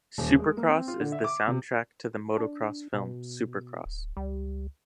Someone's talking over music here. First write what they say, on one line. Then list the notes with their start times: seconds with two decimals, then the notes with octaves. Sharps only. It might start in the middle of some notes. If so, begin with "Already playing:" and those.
Supercross is the soundtrack to the motocross film "Supercross".
0.18 D#1
0.39 G#3
0.57 A#3
0.69 C4
0.88 F4
1.00 D3
1.12 E5
1.24 D6
1.48 C3
2.37 D4
2.94 B2
3.85 D1
4.17 C#2 G3